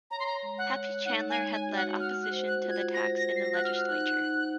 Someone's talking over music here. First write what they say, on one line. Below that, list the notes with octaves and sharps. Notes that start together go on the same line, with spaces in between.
"Happy" Chandler had led opposition to the tax in the legislature.
C#5 A#5
C6
A#5
G#3
F#5
C#5
D#4 F#5
G#5
G#3
G#5
F#4
F#5
F#5 F6
F#6
C5
F#6
F4
G#6
C5 A#6
A#6
C5
C7
A#6
F#5 F#6
F6
D#4 F#6
D#4